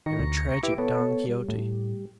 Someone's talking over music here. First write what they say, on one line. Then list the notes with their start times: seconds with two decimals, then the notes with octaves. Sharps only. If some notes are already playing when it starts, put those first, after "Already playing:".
And a tragic Don Quixote.
0.06 D#3 A#5 C#6
0.19 D2
0.63 E4 G4 B4 D6
0.78 B3 A4 C#5
1.28 G3
1.49 A2